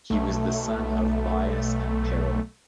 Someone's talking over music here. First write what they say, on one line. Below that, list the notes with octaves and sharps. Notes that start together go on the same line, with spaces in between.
He was the son of Bias and Pero.
B1 A3